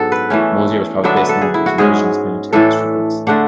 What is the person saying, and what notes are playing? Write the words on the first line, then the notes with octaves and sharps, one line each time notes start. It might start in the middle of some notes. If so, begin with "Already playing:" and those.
Mosier is probably best known for his revisionist military history books.
Already playing: G#2 F#3 B3 D4 A4
B4
E3 A3 C#4
D3 F#3 B3 D4 E5
B4
A4
G#4
E4
F#4
G#2 G#3 C#4 G#4
A2 E3 A3 D4 A4
D3 A3 D4 F#5